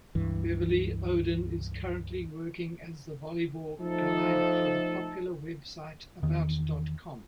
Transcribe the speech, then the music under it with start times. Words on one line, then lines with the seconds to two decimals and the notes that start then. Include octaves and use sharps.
Beverly Oden is currently working as the Volleyball Guide for the popular website About.com.
0.15 C#2 G2 E3
3.80 F3 A3 D#4 A4
6.23 E2 D#3